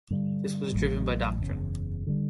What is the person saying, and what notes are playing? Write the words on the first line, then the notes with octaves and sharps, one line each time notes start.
This was driven by doctrine.
G2 D3 G3
A1 G2 F#3 A3
F#1 E2 C#3
D3 G3